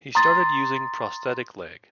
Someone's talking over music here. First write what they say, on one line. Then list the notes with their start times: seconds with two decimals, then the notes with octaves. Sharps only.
He started using prosthetic leg.
0.15 A#5 C6 D#6 A6